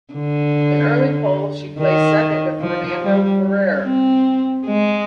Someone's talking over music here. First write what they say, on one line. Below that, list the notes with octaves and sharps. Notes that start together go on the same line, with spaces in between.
In early polls, she placed second to Fernando Ferrer.
D3
D#3
F3
G3
C4
G#3